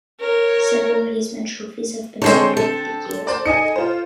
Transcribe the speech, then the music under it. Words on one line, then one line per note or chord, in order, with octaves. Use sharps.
Several Heisman trophies have been sold over the years.
A#4 C#5
D3 G#3 C4 C5 C#5 A5 G6 C7
A4
C5 D5
D#4 D#5 G#5 C#7
F4 C5